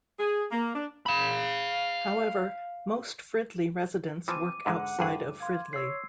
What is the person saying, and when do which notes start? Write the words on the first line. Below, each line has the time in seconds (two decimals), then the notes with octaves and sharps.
However, most Fridley residents work outside of Fridley.
0.18 G#4
0.51 A#3
0.75 D4
1.06 F5 B5
4.28 E3 F3 C4 D6 D#7
4.66 G#2 D3 G#3 F#5
4.99 D2 G2 G#4
5.40 F5 C6 G#6
5.73 C#5 E6 C7